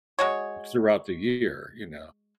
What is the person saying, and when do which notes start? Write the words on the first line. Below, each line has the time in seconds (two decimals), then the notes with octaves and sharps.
throughout the year, you know?
0.19 G#3 F#4 C#5